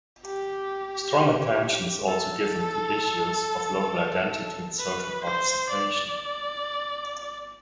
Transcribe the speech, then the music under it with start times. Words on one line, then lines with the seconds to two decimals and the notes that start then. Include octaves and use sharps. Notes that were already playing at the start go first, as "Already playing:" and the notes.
Strong attention is also given to issues of local identity and social participation.
0.26 G4
2.08 A4
4.79 B4
5.24 C5
5.70 D5